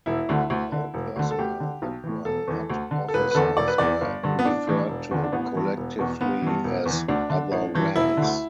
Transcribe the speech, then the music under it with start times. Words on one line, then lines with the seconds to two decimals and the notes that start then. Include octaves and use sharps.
All personnel that were not officers were referred to collectively as "other ranks".
0.06 E1 E4
0.29 D2 D3
0.50 D2
0.72 D3
0.94 E1
1.16 D2 D3
1.31 A4
1.39 D2 G4
1.60 D3
1.82 B1
2.04 A2 E3
2.25 E1 A4
2.48 E2 E3
2.70 D2
2.91 D3
3.08 A4
3.14 E1 B4
3.31 B4
3.35 E2 D3 A4
3.57 E1 D5
3.68 B4
3.78 E2 E3 D5
4.01 G1
4.23 G2 D3
4.39 B3
4.45 A1 D4
4.67 A2 E3
4.89 E1
5.11 E2 D3
5.23 D4
5.32 A1 B3
5.55 G2 E3
5.77 E1
5.99 E2 B2
6.21 G1 B3
6.42 G2 E3
6.64 E1
6.86 E2 E3
7.08 D2 D4
7.30 D3
7.51 A1
7.74 G2 E3
7.95 E1 E4
8.17 D3
8.22 D2